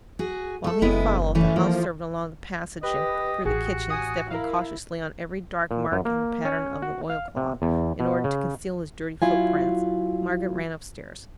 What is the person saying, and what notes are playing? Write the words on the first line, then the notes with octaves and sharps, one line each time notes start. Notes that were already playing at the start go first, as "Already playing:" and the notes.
While he followed the house-servant along the passage, and through the kitchen, stepping cautiously on every dark mark in the pattern of the oil-cloth, in order to conceal his dirty foot-prints, Margaret ran upstairs.
F#4 G#4
A3 A4
F#1 G#3 B3 E4
E3 A3 C#4
F3 A#3
G4 B4 D#5
A1 F#4 G#4
G#5 D#6
E4 A#4 F5
A#2
F#2
A#3
C#4
F#4
F5
C3
E2
B2
C#3
F#3 E4 F4 G#5